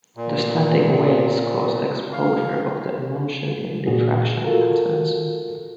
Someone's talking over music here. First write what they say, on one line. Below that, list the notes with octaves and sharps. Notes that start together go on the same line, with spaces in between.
The standing waves cause exposure of the emulsion in diffraction patterns.
A#2
F5
A#2 F#4 G#4
F4 F#4 A4 A#4